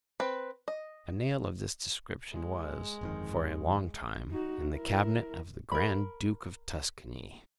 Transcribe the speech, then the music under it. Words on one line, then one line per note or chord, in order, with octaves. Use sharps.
A nail of this description was, for a long time, in the cabinet of the Grand Duke of Tuscany.
C4 B4
D#5
G#3
G1 F2 D#3
D#4 F#4
E4 A#4
A#4 B5